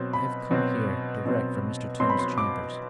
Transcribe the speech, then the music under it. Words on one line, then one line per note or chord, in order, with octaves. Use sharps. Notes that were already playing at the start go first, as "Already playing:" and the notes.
I have come here direct from Mr. Tombe's chambers.
Already playing: B2 F#3 C4
B5
B2 F#3 C4
B2 F#3 C4
B2 F#3 C4 C6
B5
C6
D6